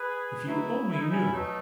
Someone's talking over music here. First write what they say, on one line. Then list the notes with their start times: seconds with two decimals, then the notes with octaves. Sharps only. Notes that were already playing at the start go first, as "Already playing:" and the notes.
If you only knew!
Already playing: G#4 B4
0.45 B2 F#3 A3 E4 G#4
0.89 E4
1.00 D#4
1.10 C#4 E4
1.32 B2 F#3 A3 D#4